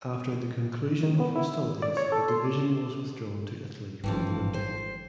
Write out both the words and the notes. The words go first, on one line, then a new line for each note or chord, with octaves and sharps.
After the conclusion of hostilities the division was withdrawn to Italy for the winter.
D#3
B3
E4
D5
C#5
A4
C6
D6
G#1 G2 E3 F3 C#4
C5